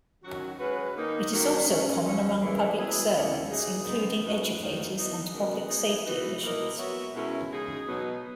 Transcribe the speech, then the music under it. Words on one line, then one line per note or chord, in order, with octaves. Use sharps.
It is also common among public servants including educators and public safety officials.
D#3 F#3 C#4 F#4
G#3 C#4 F#4 B4
D#3 A#3 D#4
D#3 A#3 C#4 F#4 A#4
B2 G#3 C#4
D#2 C#3 F#3 C#4
C#3 E3 A#3 E4
F#3 B3 E4 G#4
D#2 D#3 A#3 C#4 E4
F#3 A#3 D#4 G#4
C#3 G#3 B3 D#4
G#2 F#3 C#4 F#4 B4
E2 D#3 A#3 D#4
E3 B3 D#4
C#3 G#3 B3 F#4 A#4
F#3 B3 D#4 G#4
E3 B3 D#4 F#4 B4
B2 A#3 E4 A#4 D#5
F#3 B3 F#4 C#5 E5
B2 G#3 C#4 E4 A#4
C#3 G#3 D#4 G#4
B2 F#3 B3 D#4